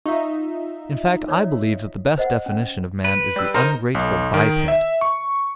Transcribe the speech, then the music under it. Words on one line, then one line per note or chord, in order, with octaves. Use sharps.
In fact, I believe that the best definition of man is the ungrateful biped.
D#4 F4 E5 C#6
C#5 D5
C5 D#5 F#5
C#4
B4
G3 E6
D#4 A#4 C5
B1
D#3
E5
C#6